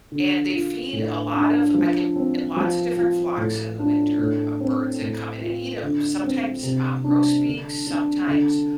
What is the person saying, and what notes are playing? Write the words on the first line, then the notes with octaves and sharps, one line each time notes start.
and they feed a lot of I get lots of different flocks in the winter of birds that come in and eat 'em. Sometimes, um, grosbeaks, sometimes,
D3
F4
A2
D4
F3
C4
F3
F4
A2
D4
A2
C4
A2
F4
D3
C4
C3
D4
D3
D4
D3